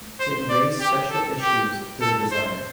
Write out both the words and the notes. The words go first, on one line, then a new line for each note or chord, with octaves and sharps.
It raised special issues for the designer.
C5
D5
G4
A4
G4
A4
C5